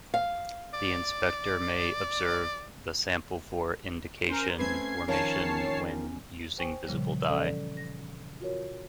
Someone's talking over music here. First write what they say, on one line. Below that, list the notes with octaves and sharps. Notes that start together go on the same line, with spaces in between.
The inspector may observe the sample for indication formation when using visible dye.
F5
D5
C#4 A#4 C5
A3 C4 C#4 B4 G#6 C7
D#3 F3 A#4 C#5 A5 C7
C5 G5 G#5 C#6
A#2 C#3 F3 G3
E3 C#4 A4 D5
A#6
F4 F#4 A#4 C#5